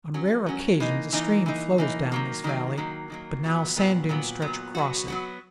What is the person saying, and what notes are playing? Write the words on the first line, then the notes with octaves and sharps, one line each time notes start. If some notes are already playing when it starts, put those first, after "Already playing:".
On rare occasions a stream flows down this valley, but now sand dunes stretch across it.
F#3 C#4 F#4
F#3 C#4 F#4
E3 A#3 D#4
E3 A#3 D#4
E3 A#3 D#4
E3 A#3 D#4
D#3 F#3 A#3
D#3 F#3 A#3
D#3 F#3 A#3
D#3 F#3 A#3
A#2 F#3 B3
A#2 F#3 B3
A#2 F#3 B3
A#2 F#3 B3
F#3 B3 F#4
F#3 B3 F#4